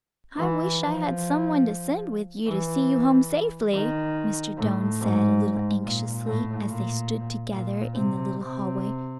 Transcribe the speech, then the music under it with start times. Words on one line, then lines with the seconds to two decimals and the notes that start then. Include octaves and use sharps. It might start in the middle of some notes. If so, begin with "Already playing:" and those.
"I wish I had someone to send with you to see you home safely," Mr. Doane said, a little anxiously, as they stood together in the little hallway.
0.38 E3
0.81 F3
2.48 E3
3.74 D#3
4.58 A2
5.00 G#2
5.83 A#2
6.26 A2
6.68 A#2
7.51 A#2
7.94 C3
8.35 C3